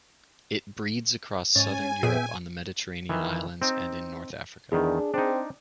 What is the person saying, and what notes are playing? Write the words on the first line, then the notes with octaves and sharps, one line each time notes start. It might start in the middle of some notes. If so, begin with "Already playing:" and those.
It breeds across southern Europe, on the Mediterranean islands and in north Africa.
G#2 C#4 C#5 G#5 A6
A#2 B3 G#4 E5 G5 D#7
D#3 E3
C4 D#4
E2 D#3 D4 G#4
C4 D4 D#4